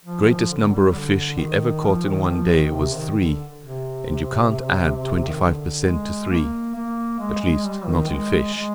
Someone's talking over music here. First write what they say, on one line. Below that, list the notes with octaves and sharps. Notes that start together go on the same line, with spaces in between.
The greatest number of fish he ever caught in one day was three, and you can't add twenty-five per cent. to three--at least, not in fish.
F3
D#3
F3
D3
G3
D3
D#3
F3
D#3
F3
D#3
C3
D#3
D3
C3
D#3
D3
G#3
A#3
A#3
G#3
G#3
G3
D#3
G#3
G#3